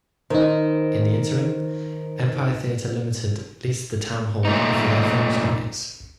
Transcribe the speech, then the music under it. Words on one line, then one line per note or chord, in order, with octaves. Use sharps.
In the interim, Empire Theatre Limited leased the Town Hall for their film screenings.
D#3 D#4 C5
A#2 A3 D#4